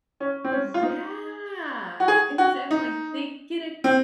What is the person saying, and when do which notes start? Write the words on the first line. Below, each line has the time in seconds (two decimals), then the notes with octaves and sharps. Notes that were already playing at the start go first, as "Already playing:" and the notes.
yeah, and I'm, like, they get a
0.20 C#4
0.44 C4
0.52 C#4
0.74 F4
0.83 D#4
2.00 F#4
2.08 G#4
2.38 F#4
2.71 D#4
3.84 C4